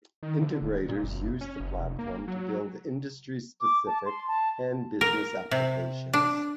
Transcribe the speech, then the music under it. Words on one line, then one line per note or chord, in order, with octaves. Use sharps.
Integrators use the platform to build industry-specific and business applications.
D#3
D3
D#1
A#2
F#1
C#4
F#1
F1
A#3
F#3
D6
A5
C6
A5
A#4
C3
D4